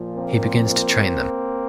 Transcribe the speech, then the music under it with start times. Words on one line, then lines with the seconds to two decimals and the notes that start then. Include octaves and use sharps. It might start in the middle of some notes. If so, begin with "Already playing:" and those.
He begins to train them.
Already playing: A#2 F3
0.16 A#3 C4